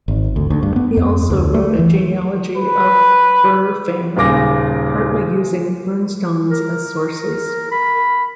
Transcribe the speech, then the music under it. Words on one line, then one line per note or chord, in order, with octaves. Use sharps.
He also wrote a genealogy of Bure family, partly using runestones as sources.
G#1
D2
D2
G2
B3
F2
D2
A3
E3
B4
D#1 C#3 D6 A#6
A#4
B5